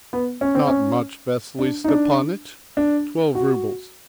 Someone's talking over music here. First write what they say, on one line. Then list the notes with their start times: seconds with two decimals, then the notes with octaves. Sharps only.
"Not much, Vasily Stepanych--twelve rubles."
0.13 B3
0.41 C#4
0.55 C4
0.67 C#4
1.59 D4
1.84 D#4
1.88 D4
2.77 D4
3.35 F#4